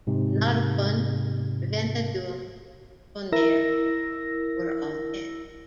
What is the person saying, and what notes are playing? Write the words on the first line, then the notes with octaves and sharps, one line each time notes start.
Narbonne, Ventadour, Tonnerre were all dead.
G#2 C3
E4 A#4 E6 A#6